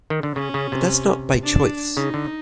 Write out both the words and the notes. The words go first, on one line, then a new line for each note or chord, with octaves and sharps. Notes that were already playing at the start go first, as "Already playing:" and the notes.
But that’s not by choice.
D#3
D3
C#3 C#4
C#3
C3
D4
C#3 D#4
D3